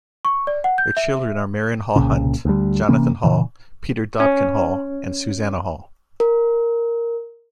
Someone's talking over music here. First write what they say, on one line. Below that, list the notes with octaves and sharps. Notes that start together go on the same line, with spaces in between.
Their children are Marion Hall Hunt, Jonathan Hall, Peter Dobkin Hall, and Susannah Hall.
C#6
D5
F#5
G6
E5
C2 A#2 C#3
D2 G3
C3 E3 A#3 C#4
A#2 C#3 E3
C#4
A#4